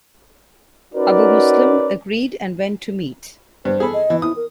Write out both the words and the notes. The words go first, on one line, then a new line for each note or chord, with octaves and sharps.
Abu Muslim agreed and went to meet.
C#4 D#4 F#4 A#4 B4 D5
G2 C5
G#4 A4 B5
D#5
E3
E4 D#6
A#4